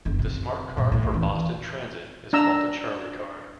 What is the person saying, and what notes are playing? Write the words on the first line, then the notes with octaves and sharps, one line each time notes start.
The smart card for Boston transit is called a "CharlieCard".
F#1 D#3
C3
G2 A#2
D#2 A2
C#2 E3
D4 A#5 E6